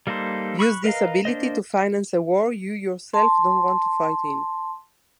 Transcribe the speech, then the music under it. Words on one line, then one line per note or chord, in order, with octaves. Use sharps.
Use this ability to finance a war you yourself don't want to fight in.
G3 A#3 D#4 A4 C5
B5 C#6 E6 F#6
A#4 B4 D#5 F5 A#5
A#3 D4 C5 D#5
A5 C6